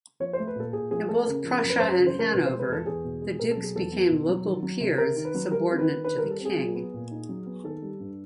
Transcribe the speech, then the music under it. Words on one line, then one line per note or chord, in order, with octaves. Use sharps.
In both Prussia and Hanover, the dukes became local peers subordinate to the king.
F3 C#5
C5
A3
B4
A#2 A4
A#2 G#4
F3 G#4
A3 A4
C#3 A#4
F3
F#2 A#4
B4
F#2 C5
C#5
C#3
C5
F3 A#4
B2 B4
C5
G#3
B4
E2 A4
E2 G#4
B2
G#3
B2 A#4
A4
F#3
G#4
E2 A4
B3
B2
F#3
D#3
F#3
C3
C3 A#4
D#3
B4
F#3
G3 A#4
C4
B4
D#3
D#3 B4
G3 A#4
A4
C4
G#4
F#3
B3
A#2
D#4
F#3
B3
D#3 A4
G3
G2